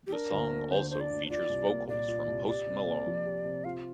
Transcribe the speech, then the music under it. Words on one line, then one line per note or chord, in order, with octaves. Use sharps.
The song also features vocals from Post Malone.
G4
D4 A#4
D2
A#3
D3 C5
D4 C5
D5
D2
C5
F4 D5
C2
A#3
A#2 D5
F4
C2
G4 D5
C3
A#3
F3
G4
C3
F4 F5